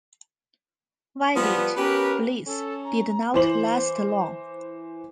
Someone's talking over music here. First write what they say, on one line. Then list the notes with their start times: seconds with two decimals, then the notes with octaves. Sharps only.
Wedded bliss did not last long.
1.36 F3 G3 B3
1.76 B3 C#4 G4 A#4 B4
2.46 C#4 A4
2.85 A#5
3.34 E3 C5 F#7